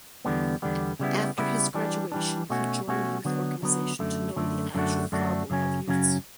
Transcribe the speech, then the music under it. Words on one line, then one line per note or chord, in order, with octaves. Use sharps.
After his graduation he join Youth Organisation to know the actual problem of youths.
E2 D3 G3 B3
E2 D3 G3 B3
C#3 G3 B3 E4
C#3 G3 B3 E4
E3 G3 D4
E3 G3 D4
B2 A3 C#4 F#4
B2 A3 C#4 F#4
D3 F#3 B3
D3 F#3 B3
F#2 D3 A3
F#2 D3 A3
F#2 D3 A3 D4 F#4
F#2 D3 A3 D4 F#4
F#2 C#3 F#3 C#4
F#2 C#3 F#3 C#4